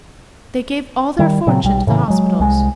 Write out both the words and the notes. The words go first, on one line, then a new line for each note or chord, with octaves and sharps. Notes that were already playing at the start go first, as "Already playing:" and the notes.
"They gave all their fortune to the hospitals."
D#3 G3
A#2 C#3 F#3 C4
B1 G3
A2 C#3 E3
F#3 G#3
C2 G#3